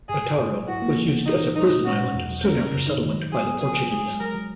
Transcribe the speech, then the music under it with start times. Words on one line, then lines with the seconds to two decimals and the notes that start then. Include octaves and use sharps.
Atauro was used as a prison island soon after settlement by the Portuguese.
0.09 G#2 G#4
0.23 G#2
0.38 G#2
0.52 F#3
0.67 E4 F#4
0.82 A#3
0.97 E3
1.12 B3
1.26 E3 D#4
1.41 E3
1.55 F#3 D#4
1.70 A#2
1.85 C#4 F#4
2.00 B2
2.14 E2
2.29 F#3
2.44 C#4 A#4
2.58 C#3
2.74 F#2
2.87 D#4
3.03 D#3
3.17 F#3
3.32 F#3 G#4
3.46 B3
3.61 F#3 G#4
3.76 F#3
3.91 G#3 G#4
4.06 G#3
4.20 F#3 A#4
4.35 F#3